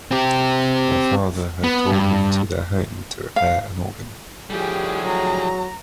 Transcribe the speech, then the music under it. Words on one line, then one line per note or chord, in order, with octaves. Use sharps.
Her father had called him to their home to repair an organ.
C4 G4
B3
G2
F5
A2 D3 F3 G3 G4 G#4
F#3 A#5